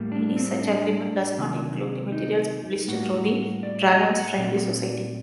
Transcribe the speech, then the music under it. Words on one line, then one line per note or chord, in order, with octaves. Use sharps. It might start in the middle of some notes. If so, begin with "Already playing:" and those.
Any such agreement does not include the materials published through "The Dragons Friendly Society".
Already playing: A2 G3 A#3
D4
C4
D4
C3 D#3 F#3 A#3
D#4
A2 G3 A#3 F#4
D5
D#5
D#5
F#5
A#2 A3 C4 D5